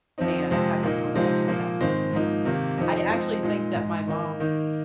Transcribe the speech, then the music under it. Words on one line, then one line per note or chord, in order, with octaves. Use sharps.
and had them run a bunch of tests and things. I actually think that my mom,
F2 F3 C4 D#4
F2 C3 F3 G#3 C4
A#2 A#3 D#4
C3 F3 G#3 C4 D#4
A#2 F3 A#3
G#2 D#3 G#3 C4
G#2 F3 A#3 D#4
C3 D#3 A#3
F2 F3 C4 D#4
F2 F3 G#3 C4 D#4
A#2 G#3 D#4
G#2 G#3 D#4
D#3 A#3 D#4
D#3 A#3 D#4